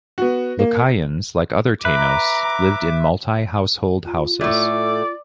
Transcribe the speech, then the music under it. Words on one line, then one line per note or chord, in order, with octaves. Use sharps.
Lucayans, like other Tainos, lived in multi-household houses.
B3 F#4
A#3
B4 E5 A#5 D6
F4
A2 A3 D5